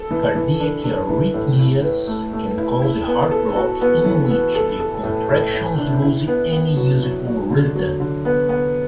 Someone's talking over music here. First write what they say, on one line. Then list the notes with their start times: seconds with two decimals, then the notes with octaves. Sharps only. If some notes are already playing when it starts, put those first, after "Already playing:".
Cardiac arrhythmias can cause heart block, in which the contractions lose any useful rhythm.
Already playing: A4
0.11 E3
0.35 E3
0.60 D4
0.84 D4
1.09 E3
1.34 A2
1.59 E4
1.83 B4
2.07 A3
2.33 A3
2.58 E4
2.82 E4
3.07 B3
3.31 A4
3.56 F#4
3.81 B3
4.05 E3
4.30 B3
4.55 A4
4.80 A4
5.03 A2
5.29 A2
5.53 A2
5.78 D4
6.02 E4
6.28 B3
6.52 B3
6.76 F#3
7.02 F#3
7.26 F#3
7.50 D3
7.75 F#3
8.00 D3
8.25 B3
8.49 B3